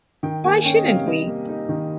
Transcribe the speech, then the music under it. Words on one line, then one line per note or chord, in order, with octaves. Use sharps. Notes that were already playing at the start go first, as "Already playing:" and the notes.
Why shouldn't we?
D#3 G5
A#3 G#5
C#4 G5
D#5
C3 F5
G3 D#5
A#3
D#4
D#3